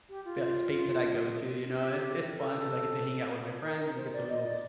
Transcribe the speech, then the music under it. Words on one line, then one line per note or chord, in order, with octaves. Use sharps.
b eh, s space that I go to, you know, and it it's fun 'cause I get to hang out with my friends, we get to
G4
F4
G4
A4
A#4
A#4
C5
D5
D#5
D5